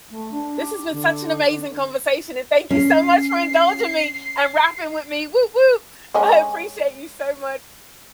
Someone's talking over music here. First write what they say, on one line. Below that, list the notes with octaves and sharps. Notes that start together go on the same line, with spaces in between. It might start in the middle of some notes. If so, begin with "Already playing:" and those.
This has been such an amazing conversation, and thank you, so, much for indulging me and rapping with me! Whoop whoop! I appreciate you so much,
A3
D4
G4
D3
C#4 C7
G#3 C#4